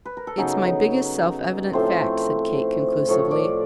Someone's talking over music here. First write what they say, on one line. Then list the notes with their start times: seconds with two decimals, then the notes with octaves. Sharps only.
"It's my biggest self-evident fact," said Kate, conclusively.
0.05 B4
0.17 A#4
0.27 A4
0.38 C#3 F#3 B3 D#4 G#4
1.73 A2 F3 A3 C4 C5
3.08 A2 F3 A3 C#5
3.31 D5